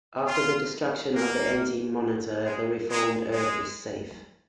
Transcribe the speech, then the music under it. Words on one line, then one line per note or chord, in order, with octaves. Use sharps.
After the destruction of the Anti-Monitor, the reformed earth is safe.
F4
A#3
G#3
G#3
G#3